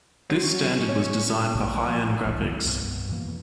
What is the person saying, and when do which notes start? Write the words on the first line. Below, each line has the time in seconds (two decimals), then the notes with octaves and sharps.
This standard was designed for high-end graphics.
0.30 F#3 C5
0.43 C#4
0.89 C#5
1.55 A#1 B2 A#3
1.88 F3
2.24 F1 C2 E3
2.64 C2 G2 B2
3.09 F2 B2 E3 A#3